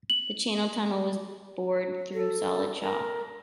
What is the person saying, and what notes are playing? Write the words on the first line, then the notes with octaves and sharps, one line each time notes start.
The Channel Tunnel was bored through solid chalk.
F#7
A4
A#4